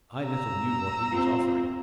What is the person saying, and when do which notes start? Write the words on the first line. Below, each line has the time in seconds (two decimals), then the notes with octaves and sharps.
I little knew what he was offering.
0.20 A#5 E6
1.12 C4 F4